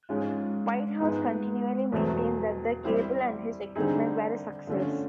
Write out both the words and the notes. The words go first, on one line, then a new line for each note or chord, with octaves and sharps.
Whitehouse continually maintained that the cable and his equipment were a success.
G#2 F3 G#3 C#4 F4
G#2 F3 G#3 B3 D#4
E2 B2 F#3 A3 C4
G3 C4 E4 G4 C5
D3 G3 C4 D#4 G#4
D3 F3 A3 C#4